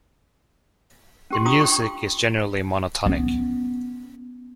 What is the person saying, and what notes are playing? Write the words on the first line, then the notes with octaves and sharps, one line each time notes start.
The music is generally monotonic.
C#4 G4 C6
C#4 D4 F4 A#5 D#6
G5 C6 C#6
B3 C#4